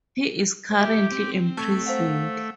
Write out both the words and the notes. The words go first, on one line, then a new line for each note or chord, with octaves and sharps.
He is currently imprisoned.
F#4 G4 E5
C4
A3 A5 C#6 G#6
C5 F5 F#5